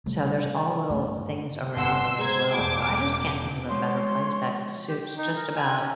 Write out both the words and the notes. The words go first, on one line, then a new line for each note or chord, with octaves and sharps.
So there's all little things around it as well, so, I just can't think of a better place that suits just about
C3 G3 A3
G2 A3
G1 F#5 C6 E6
G#3 C5 A#5 G#6
E1 A2 D6
F3 G#3 C#5 C6
G4
G5
D#4
A#4
G#5
C#4